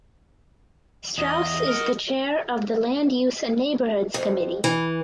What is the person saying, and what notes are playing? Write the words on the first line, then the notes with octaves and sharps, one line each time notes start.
Strauss is the chair of the Land Use and Neighborhoods Committee.
E2 D#5
A#4 F#5
F2
E3